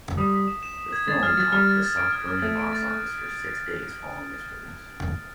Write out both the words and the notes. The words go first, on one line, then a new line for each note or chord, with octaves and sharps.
The film topped the South Korean box office for six days following its release.
G3 D#6
B6
E7
E7
E7
G#6
G#3 A6
G#3 F6
F#3 A6
G3 F6
A6
A6
D7
F6
F6
A3 A6
D7
A6
F#6